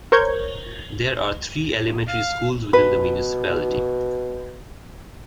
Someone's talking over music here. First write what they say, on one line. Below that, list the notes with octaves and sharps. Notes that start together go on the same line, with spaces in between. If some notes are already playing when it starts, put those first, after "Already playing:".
There are three elementary schools within the municipality.
A#4 C5 C#5 C#6 G6 G#6
F5
B2 B4